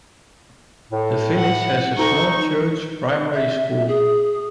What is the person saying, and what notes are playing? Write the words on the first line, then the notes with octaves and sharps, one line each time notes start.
The village has a small church primary school.
A2
F#5
D2 D#4 C#6
E5
G#4